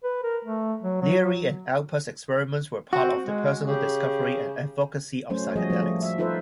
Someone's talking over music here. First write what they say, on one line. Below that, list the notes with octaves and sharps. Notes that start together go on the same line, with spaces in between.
Leary and Alpert's experiments were part of their personal discovery and advocacy of psychedelics.
B4
A#4
A3
F#3
F#3
C4 F#4
G#3
C#3 G4
F#3 A3 C#4 C5
F3 G3 F#4 G#4 D#5
F3 A3 A#3
E5
D#4 F4 A4 B4 C5 E5